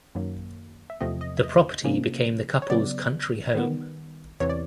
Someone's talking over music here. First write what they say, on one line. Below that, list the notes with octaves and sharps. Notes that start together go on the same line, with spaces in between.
The property became the couple's country home.
F#2 D#3 F#3 A#3
E5
E2 C3 F3 A3 C4 D#5
D#5
E5
D#5
C3 F3 A#3 C#4
C#5
C#3 F#3 B3 D5
D#3 G3 B3
E2 C3 E3 C#5
D5